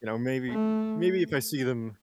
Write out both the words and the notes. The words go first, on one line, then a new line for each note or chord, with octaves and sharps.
you know, maybe maybe if I see them
A3